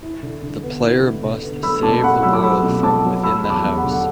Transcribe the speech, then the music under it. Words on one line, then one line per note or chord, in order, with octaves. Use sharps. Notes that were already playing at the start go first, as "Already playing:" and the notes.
The player must save the world from within the house.
E4
D3
D3
B3
E4
D3
D3
B3
A3 B5 E6
B2 A5 D6
B2 F#5 B5
F#3 B5 E6
D6
A3 B5 E6
B2
B2 A5 D6
F#3
F#3 B5 E6
E2 B5
A5 D6
E2
F#5 B5
D3
F#5